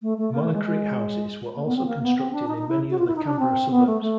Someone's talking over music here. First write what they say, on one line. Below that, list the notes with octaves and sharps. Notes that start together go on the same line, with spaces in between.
Monocrete houses were also constructed in many other Canberra suburbs.
A3
A3
A#3
A3
G#3
G#3
A#3
B3
C4
A#3
B3
C4
D4
D#4
D#4
E4
F#4
F4
E4
D#4
D4
C4
B3
A3
A3